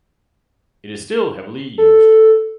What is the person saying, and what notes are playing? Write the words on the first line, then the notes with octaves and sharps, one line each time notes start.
It is still heavily used.
A4